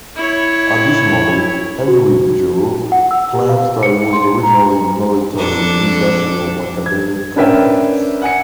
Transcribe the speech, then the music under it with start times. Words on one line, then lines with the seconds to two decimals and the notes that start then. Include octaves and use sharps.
Additionally, Henry Giroux claims that it was originally "military-industrial-academic complex".
0.16 E4 C#5
1.88 F#4
2.92 F#5
3.11 E6
3.33 G4
3.49 F5
3.83 C#7
4.13 C6
4.43 A#5
5.38 F2 D4 A4
6.86 G#6
7.36 C#4 D4 A#4 B4 E5 G5
8.22 F#5 G#5 C#7